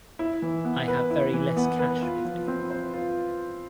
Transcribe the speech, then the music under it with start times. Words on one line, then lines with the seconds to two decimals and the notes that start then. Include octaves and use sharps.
I have very less cash with me.
0.19 E4
0.42 E3
0.65 B3
0.88 B4
1.10 E4
1.34 E3
1.57 B3
1.79 B4
2.02 F4
2.25 F3
2.48 C4
2.70 C5
2.94 F4